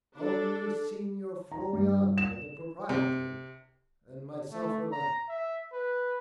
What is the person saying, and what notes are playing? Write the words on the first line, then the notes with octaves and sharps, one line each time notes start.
Only Signor Floriano, the proprietor, and myself are left.
D4 A4
A#5
G2
E7
C3
A3
A#5
E5
B4